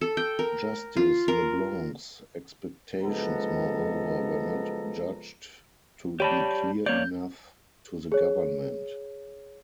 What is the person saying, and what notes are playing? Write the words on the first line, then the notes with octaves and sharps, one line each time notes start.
Justice LeBlanc's expectations, moreover, were not judged to be clear enough to the government.
A4
G5
A#4
F4
A#4
F#1 F3 G#3 B3 A4 A#5
G4 C#5 D5 A5 B5
A#3 C#5 D5 G6
G#4 C#5